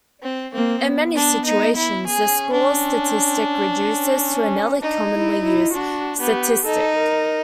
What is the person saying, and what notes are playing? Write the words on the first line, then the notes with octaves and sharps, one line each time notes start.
In many situations, the score statistic reduces to another commonly used statistic.
C4
A#3 C4
B3
D4
D#4
E4
C#4 G#4
D4
C#4
D4 D#4
E4
E4
D4 F#4
B3 G4
D#4 A4
A#4